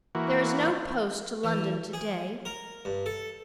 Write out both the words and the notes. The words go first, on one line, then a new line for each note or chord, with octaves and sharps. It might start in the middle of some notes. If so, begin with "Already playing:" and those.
There is no post to London to-day.
E3 A#3 F#4
E3
G#4
A#4
G2
A4